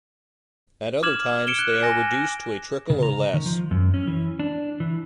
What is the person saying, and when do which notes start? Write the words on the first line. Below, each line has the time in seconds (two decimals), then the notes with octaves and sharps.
At other times they are reduced to a trickle or less.
1.03 D6 F6 G#6 E7 F#7
1.47 C#7 D7 E7 G7
1.59 F#6
1.83 G#5 A#6
2.90 C#3
3.03 A#5
3.34 D#3
3.46 F3
3.71 F#2
3.94 C#4
4.07 E3
4.40 D4
4.80 E3